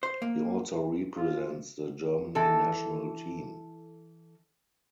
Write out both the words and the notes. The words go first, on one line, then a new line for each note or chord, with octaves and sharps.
He also represents the Germany national team.
C5
A#3
F4
E3 A4